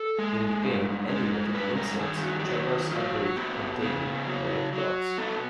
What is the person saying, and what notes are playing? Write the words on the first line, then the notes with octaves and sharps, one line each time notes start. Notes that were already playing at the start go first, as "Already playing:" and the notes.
In the game animated insects traverse a grid containing colored dots.
Already playing: A4
G#3
G2
G#3
G2 B4
A#4
D#3 G#4
F#4
G4
F#3 F#4
F#3 F4
B3 G4
C#3 G#4
F#3
F#3
B3 A4